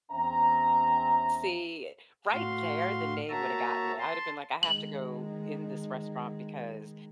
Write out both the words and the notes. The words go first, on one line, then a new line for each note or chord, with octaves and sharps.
See, right there, the name woulda got me. I woulda been like, I have to go in this restaurant because
E2 C4 C#4 E5 A#5
A2 F#4 F5 C6
A#3 F#4 C#5 E5 A5 A#5
A5 C6
D#3 G#3 F#7